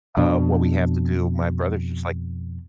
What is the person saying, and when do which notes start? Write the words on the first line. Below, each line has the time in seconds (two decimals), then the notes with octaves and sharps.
"Uh, what we have to do" my brother's just like,
0.17 F2 B2 D4